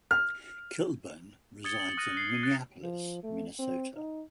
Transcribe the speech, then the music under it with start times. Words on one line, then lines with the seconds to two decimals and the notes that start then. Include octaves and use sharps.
Kilburn resides in Minneapolis, Minnesota.
0.11 F6
1.64 D#6 G#6 A6 C#7 G7
1.80 C#7 F#7
1.97 D#6 F6 F#6 A#6 D#7
2.17 A6 C7
2.30 C7 D#7
2.43 F#6 A6 C#7
2.83 F3
3.23 A3
3.59 C4
3.96 D#4